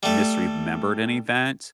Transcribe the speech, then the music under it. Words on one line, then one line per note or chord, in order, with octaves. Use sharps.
misremembered an event,
G3 A3